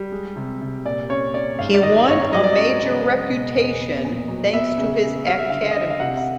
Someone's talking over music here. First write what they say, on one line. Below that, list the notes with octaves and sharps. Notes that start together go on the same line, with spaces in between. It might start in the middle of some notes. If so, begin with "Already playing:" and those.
He won a major reputation thanks to his academies.
Already playing: G3
G#3
C3
C3
A#2 D5
C#4 C#5
C#4 D5
G#2 F5
D5
D#3 D#5
G#2 C#5
F#3 D#5
D5
C#4 D#5
C#3
G#3
B2
E2
B3
A#2
F#3
B3 E5
C#3
C#3
G3 F5
E5
D3 F5
D#5
D3
E5
F5
C3 F#5
F#5